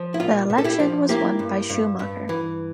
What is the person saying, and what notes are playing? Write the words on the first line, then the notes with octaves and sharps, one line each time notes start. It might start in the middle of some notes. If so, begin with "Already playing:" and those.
The election was won by Schumacher.
Already playing: F3
E4
A#2 F4
A#2
A4
E4 G4
F3
A#3 E4 G4
G2
G2
G2
E3